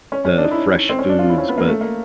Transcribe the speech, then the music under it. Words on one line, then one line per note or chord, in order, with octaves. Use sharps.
the fresh foods, but
C#4
C#4
D4
D#4
E4
C4
C#4
D4
F4
E4
C#4
B3
A#3
A3
A#3